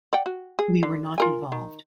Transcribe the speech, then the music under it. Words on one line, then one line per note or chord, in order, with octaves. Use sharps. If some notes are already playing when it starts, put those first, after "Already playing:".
We were not involved.
D5 F#5 G5
F#4
G#4
D3
F4 A#4 G#5
D#3